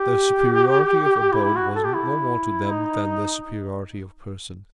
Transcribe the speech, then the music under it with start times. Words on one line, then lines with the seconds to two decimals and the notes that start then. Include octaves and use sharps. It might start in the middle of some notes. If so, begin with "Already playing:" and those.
Their superiority of abode was no more to them than their superiority of person.
Already playing: G4
1.32 E4
1.44 E4
1.56 F#4
1.76 A4
1.85 G4
1.94 E4
2.72 D#4